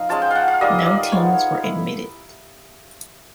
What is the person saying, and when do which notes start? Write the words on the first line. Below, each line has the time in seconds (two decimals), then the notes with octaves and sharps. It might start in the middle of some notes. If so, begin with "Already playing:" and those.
No teams were admitted.
Already playing: F3 D#4 F5
0.09 G#3 C#4 F4 A5
0.22 G5
0.31 F5 F#5
0.48 F5
0.61 G3 A#3 D#4 D#5
0.79 D#5
0.86 D5
1.12 G#3 B3 D#4 C#5
1.64 E4